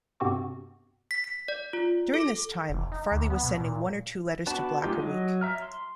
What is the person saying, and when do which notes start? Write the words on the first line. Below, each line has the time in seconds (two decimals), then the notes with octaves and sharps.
During this time, Farley was sending one or two letters to Black a week.
0.20 G2 C3 B3 C4 F#4 D6
1.11 B6
1.24 B6
1.48 D5
1.73 F4
2.14 A4
2.70 F1
2.92 D#4
3.12 D2
3.30 B3
3.43 B2
3.60 A#2
4.47 B3 D4 F#4 A5 B5
4.83 G#3 A3 D#4 F4 G4
4.99 F#3 D#5
5.41 E5 A#5 F6
5.62 C6